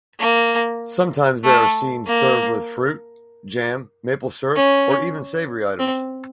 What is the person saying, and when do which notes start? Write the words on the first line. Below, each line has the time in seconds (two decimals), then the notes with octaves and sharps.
Sometimes they are seen served with fruit, jam, maple syrup, or even savory items.
0.20 A#3
1.45 A3
2.07 A#3
4.55 C#4
5.80 C4